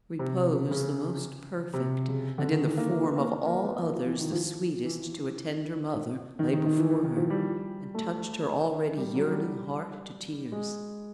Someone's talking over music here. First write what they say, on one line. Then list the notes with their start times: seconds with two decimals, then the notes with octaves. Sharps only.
Repose the most perfect and in the form of all others the sweetest to a tender mother, lay before her and touched her already yearning heart to tears.
0.19 C3
0.71 C#3
1.73 C3
2.08 C#3
2.38 D3
2.52 D#3
2.64 E3
2.78 A#3
2.91 A#3
3.04 B3
3.17 A#3
3.28 B3
3.46 A#3
3.64 B3
3.81 A#3
3.94 F3
4.06 E3
4.20 D#3
4.32 F3
4.84 E3
6.39 D#3
6.53 D#3
6.65 D#3
6.78 E3
6.90 E3
7.04 D#3
7.17 F3
7.30 G3
7.94 A3
8.97 G3
9.15 F#3
9.32 G3
10.52 G#3